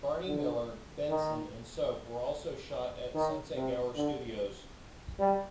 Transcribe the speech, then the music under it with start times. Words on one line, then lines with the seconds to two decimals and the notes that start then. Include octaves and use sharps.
"Barney Miller", "Benson" and "Soap" were also shot at Sunset Gower Studios.
0.26 D3
1.09 D#3
3.14 D#3
3.55 C3
3.96 D3
5.19 G3